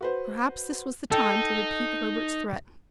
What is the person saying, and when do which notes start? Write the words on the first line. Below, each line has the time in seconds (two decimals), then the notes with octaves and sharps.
Perhaps this was the time to repeat Herbert's threat.
0.01 F#4 B4 C5
1.11 D#4 A4 G5